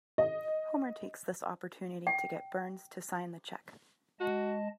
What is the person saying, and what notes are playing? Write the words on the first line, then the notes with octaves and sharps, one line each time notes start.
Homer takes this opportunity to get Burns to sign the check.
D#5
G5
G#3 F#4 D#5 A5